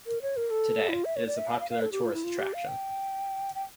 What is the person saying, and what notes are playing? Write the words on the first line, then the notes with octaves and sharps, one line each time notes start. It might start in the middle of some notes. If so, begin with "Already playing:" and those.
Today, it is a popular tourist attraction.
A#4
C#5
A#4
A4
E4
F4
E5
C#5
D5
E5
F5
F5
F5
A4
G4
F4
E4
F4
G4
F5
G5
G5